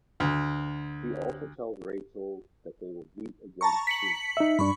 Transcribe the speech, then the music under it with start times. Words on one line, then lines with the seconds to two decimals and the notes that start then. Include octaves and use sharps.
He also tells Rachel that they will meet again soon.
0.20 D2
3.61 A5 A#5 C#6
3.87 B6 C#7 F#7
4.37 D#4 E5
4.59 G2 D4 B5 C#6